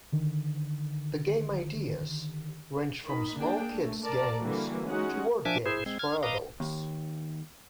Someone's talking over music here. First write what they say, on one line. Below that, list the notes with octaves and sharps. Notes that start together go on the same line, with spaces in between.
The game ideas ranged from small kids' games to word games for adults.
D3 D#3
D#3 D#4 B5
A#3 D4 G#4 G5
A3
A#4 D5 A5 A#5
D3 E3 G3 A#3 F#4
G#3 C#4 D#4 F#4 F#5
F3 D4 E5 G#5 D6
E4 G#4 C5
G#3 C4
F6 G#6
B4 D#5 F5 A#5 D6 D#6
D#2